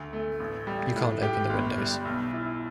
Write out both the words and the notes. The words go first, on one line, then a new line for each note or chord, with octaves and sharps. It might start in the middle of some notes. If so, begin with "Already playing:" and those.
You can't open the windows.
Already playing: D2
A3
A1
G3
A2
G4
G1
G3
B1
E4